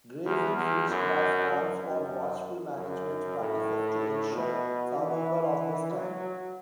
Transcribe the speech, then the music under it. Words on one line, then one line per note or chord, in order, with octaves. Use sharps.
Grazing switchgrass calls for watchful management practices to ensure survival of the stand.
E2
E2
F#2
F#2
F#2
F#2
A2
B2
E3
F#3